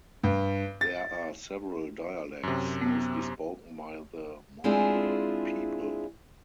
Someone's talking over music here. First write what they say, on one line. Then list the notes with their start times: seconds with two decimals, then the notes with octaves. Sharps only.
There are several dialects, mostly spoken by the Monguor people.
0.23 G2
0.81 A6
2.43 F#2 C3
2.82 B3
4.64 G#3 C4 D4 E4 F4 G#4